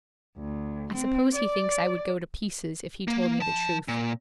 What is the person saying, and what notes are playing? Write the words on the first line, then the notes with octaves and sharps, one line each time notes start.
I suppose he thinks I would go to pieces if he told me the truth.'
D2
C4
D5
A#3
F3 A5
A#2